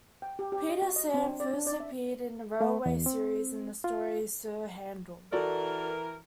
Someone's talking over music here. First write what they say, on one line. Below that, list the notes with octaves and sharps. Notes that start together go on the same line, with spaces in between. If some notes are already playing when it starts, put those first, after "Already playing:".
Peter Sam first appeared in "The Railway Series" in the story "Sir Handel".
G5
G4
G4
D#5
F#4
D#5
C4
D4
D5
D4
D5
E5
A3
E2
C4
F4
E3 F#4 A4 A#4 D5